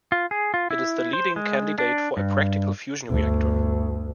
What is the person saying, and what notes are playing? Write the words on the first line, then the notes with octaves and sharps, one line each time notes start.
It is the leading candidate for a practical fusion reactor.
F4
G#4
F4
E4
C5
G#3
D4
G2
G1 D2